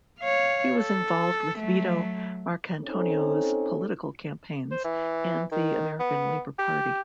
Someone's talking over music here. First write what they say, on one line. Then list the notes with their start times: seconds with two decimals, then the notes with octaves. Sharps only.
He was involved with Vito Marcantonio's political campaigns and the American Labor Party.
0.20 C#5 F5
0.77 A4
1.58 F#3 A3
2.83 C4 C#4 D#4 A4
4.71 C5
4.84 E3
5.52 D#3
6.00 B3
6.59 G4